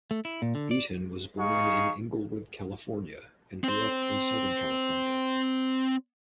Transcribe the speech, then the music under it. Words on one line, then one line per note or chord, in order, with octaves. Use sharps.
Eaton was born in Inglewood, California and grew up in Southern California.
A3
E4
A#2
D3
D5
D#4 G#4 F5 C#6
C4 C5